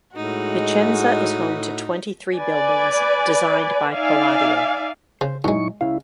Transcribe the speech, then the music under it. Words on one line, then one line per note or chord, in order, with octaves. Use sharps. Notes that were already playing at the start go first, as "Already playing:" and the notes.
Vicenza is home to twenty-three buildings designed by Palladio.
A2 G#3 D#4 F#4
B4 D5 G#5
D#4 D5 E5 F5 G#5
C#3 C5
F#2 A#2 F#3 G#3 D#4 E4 C#6
C#2 C#3 E4 F5